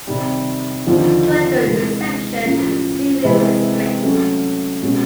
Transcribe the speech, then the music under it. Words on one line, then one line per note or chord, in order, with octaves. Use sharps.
Critical reception to the series is mixed.
C3 D#3 G3
D#2 D3 F3
C3 E3 G#3
A2 F3 A#3 C#4
C3 E3 G#3 C4 E4
F#3 A3 C#4
B2 G#3 C#4 F#4